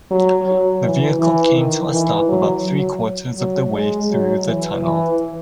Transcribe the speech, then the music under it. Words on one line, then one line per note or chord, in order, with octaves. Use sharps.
The vehicle came to a stop about three-quarters of the way through the tunnel.
F#3
F#3
E3
E3
D#3
E3
F#3
F#3
F#3
G#3
F#3
E3
E3